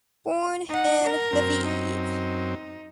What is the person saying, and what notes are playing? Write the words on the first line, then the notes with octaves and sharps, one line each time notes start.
Born in Lviv.
D#4 F#5
A#4
F#2 C4
D#4